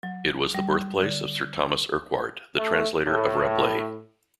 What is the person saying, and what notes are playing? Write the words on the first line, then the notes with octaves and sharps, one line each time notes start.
It was the birthplace of Sir Thomas Urquhart, the translator of Rabelais.
F#3
G3
D3
E6
A3
A2